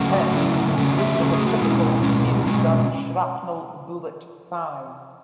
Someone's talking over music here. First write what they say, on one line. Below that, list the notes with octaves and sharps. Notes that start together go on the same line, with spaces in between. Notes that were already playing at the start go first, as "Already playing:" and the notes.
Hence this was a typical field gun shrapnel bullet size.
Already playing: C#3 F#3 A3 C#4 F#4
C#3 F#3 A3 C#4 E4
C#3 F#3 A3 C#4 A4
E5
C#3 F#3 A3 C#4 A4
G#4
F#4
D#4
B2 G#3 C#4 E4
B2 G#3 C#4
B2 G#3 C#4